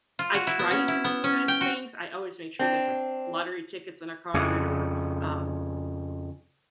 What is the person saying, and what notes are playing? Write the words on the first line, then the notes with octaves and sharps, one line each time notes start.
I try to do nice things. I always make sure there's like lottery tickets in a card or, um,
F4
F#4
E4
B3
C#4
E4
B3
C#4
G5
F#4
C4 D4
F2 C#3